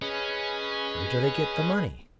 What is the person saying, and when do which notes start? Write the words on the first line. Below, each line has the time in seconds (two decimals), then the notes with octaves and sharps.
"Where do they get the money?"
0.02 C#4 G#4 B4 D#5